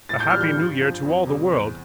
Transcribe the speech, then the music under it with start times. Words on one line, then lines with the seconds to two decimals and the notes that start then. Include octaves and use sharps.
A happy New Year to all the world!
0.09 A2 A6
0.20 G6
0.30 E3 G3 F6
0.41 G6
0.57 G2
0.80 F3
1.04 F2
1.27 C3 G3
1.51 E2